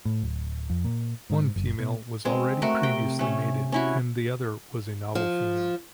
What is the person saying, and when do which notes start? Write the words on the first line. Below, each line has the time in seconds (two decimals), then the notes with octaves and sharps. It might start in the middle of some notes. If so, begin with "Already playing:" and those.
One female was already previously mated and the other was a novel female.
0.05 A2
0.23 D1
0.70 F2
0.85 A#2
1.30 G#2
1.56 F#1
1.79 B2
2.25 G#3 C4
2.62 A3 F#4 A#4
2.83 C3 G5
3.19 A3 C#4
3.72 C#4 E4 F#4
5.15 F3